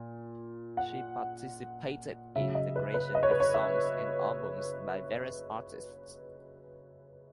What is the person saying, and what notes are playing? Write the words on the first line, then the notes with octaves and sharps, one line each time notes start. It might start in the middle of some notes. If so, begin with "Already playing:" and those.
She participated in the creation of songs and albums by various artists.
Already playing: A#2
F#5
C#3 F#3 E5
D#5
B4
B4
D#5
C#5
B4
C#5
E5